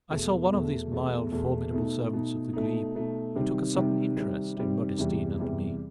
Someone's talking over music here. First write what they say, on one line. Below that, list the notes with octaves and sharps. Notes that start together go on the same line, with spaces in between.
I saw one of these mild formidable servants of the glebe, who took a sudden interest in Modestine and me.
E2 B2 A3
E2 B2 A3
E2 B2 A3
E2 B2 A3
B2 A3 D#4
B2 A3 D#4
B2 A3 D#4
B2 A3 D#4
C3 D#3 G3 C4
C3 D#3 G3 C4
C3 D#3 G3 C4
C3 D#3 G3 C4
E2 C3 E3 G3
E2 C3 E3 G3